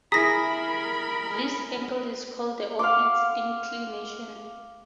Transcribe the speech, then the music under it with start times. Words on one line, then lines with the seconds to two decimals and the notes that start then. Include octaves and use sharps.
This angle is called the orbit's inclination.
0.12 E4 G#4 A#4 A#5 B5 D#6 A#6 B6
2.79 F5 F#5 C6 D6